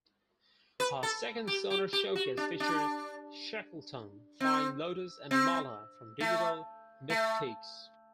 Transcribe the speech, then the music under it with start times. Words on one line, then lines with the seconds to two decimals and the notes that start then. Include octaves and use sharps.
Her second Sonar showcase featured Shackleton, Flying Lotus and Mala from Digital Mystikz.
0.80 B4
1.03 A4
1.47 G4
1.70 G4
1.93 G4
2.16 F#4
2.37 D4
2.60 D4
4.40 C4
5.31 C4
6.20 A3
7.10 A3